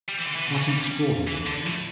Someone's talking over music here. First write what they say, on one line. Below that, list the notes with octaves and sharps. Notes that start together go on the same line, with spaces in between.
Not an extraordinary accident.
G3
E3
D3
E3
B2
D3
E3
G3
E3
D3
A2